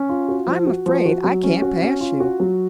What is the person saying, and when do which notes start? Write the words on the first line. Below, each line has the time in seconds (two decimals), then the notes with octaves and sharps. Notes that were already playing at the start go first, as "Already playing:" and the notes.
"I'm afraid I can't pass you."
Already playing: C#4
0.09 F4
0.29 F#4
0.47 F3
0.67 F#4
0.86 F3
1.05 F#4
1.24 F#3
1.43 C#4
1.62 F#4
1.82 C#4
2.01 F4
2.20 F#4
2.40 F#3